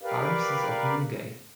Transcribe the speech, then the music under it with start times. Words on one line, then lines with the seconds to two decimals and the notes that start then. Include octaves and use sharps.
Barnes is openly gay.
0.02 G4 A#4 B4 D5 F5